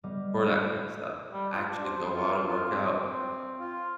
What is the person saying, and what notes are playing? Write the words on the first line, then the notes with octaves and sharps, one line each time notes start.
for that kind of stuff. Actually go out and work out,
G3 B3 D#5 D6 F6
G3
F4
D4
C5
F4
F4
C4
C4
F4